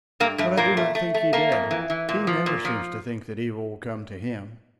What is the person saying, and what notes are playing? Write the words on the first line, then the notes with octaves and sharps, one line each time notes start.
"But I do not think he did. He never seems to think that evil will come to him."
G2 A#3
G2 A3
A#2 A#3
A3
A3
A3
A3 A#3
F2
E3
E3
A#2
F3
A#2
F3